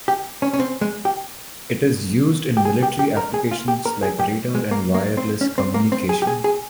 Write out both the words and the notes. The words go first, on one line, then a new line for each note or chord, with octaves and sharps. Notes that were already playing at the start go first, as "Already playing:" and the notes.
It is used in military applications like radar and wireless communication.
G4
C#4
C#4
C4
G#3
G4
G4
G#4
G4
G4
A#4
G#4
F4
G4
A#4
G#4
G4
G#3
A#3
A#3
C4
C#4
C4
A#3
C4
G#4
G4
G#4
G#4